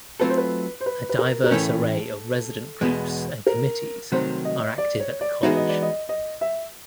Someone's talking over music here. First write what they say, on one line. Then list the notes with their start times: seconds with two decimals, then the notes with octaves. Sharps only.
A diverse array of resident groups and committees are active at the college.
0.20 F#3 A3 C4 F4 A4 B4
0.30 C5
0.38 B4
0.80 C5
0.86 B4
1.09 B4
1.19 A#4
1.44 A#4
1.51 A2 E3 A3 C#4 A4
2.81 E2 B2 G#3 B3
3.47 A#4
4.12 C2 C3 D#3 F#3 A3 C5
4.45 D#5
4.78 D5
5.00 C#5
5.21 D5
5.43 E3 G#3 B3 D#4 F#4 E5
5.57 D#5
5.69 D5
5.82 D#5
6.09 D#5
6.41 E5